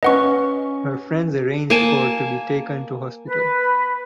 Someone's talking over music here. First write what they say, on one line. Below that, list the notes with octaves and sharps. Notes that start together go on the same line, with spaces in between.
Her friends arranged for to be taken to hospital.
C#4 B4 D#5 F#5 C#6
A#3 G#5 A5
B4